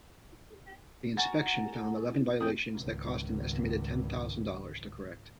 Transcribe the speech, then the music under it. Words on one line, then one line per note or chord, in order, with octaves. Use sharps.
The inspection found eleven violations that cost an estimated ten thousand dollars to correct.
F#4 A#4 G#5 A#5 A6
F2 G#4 A4 G5 D#6
G#1 C#2